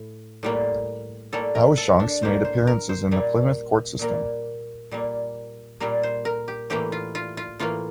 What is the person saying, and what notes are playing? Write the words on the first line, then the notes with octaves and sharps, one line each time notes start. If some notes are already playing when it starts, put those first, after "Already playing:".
Awashonks made appearances in the Plymouth court system.
Already playing: A2
A2 G3 A#3
A2 G3 A#3 A4
A#4
A4
D4
A2 G3 A#3 C5
C5
A#4
C5
A#2 G3 A#3
A#2 G3 A#3 A#4
A#2 G3 A#3
A#2 G3 A#3 A#4
C5
A#4
G4
A2 E3 A#3 G4
F4
F4
F4
A2 E3 A#3 F4